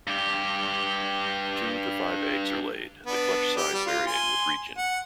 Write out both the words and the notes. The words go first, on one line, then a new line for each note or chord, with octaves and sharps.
Two to five eggs are laid, the clutch size varying with region.
G2 G4
B3 D4
G4
G3
F4
G#5 C6
F#5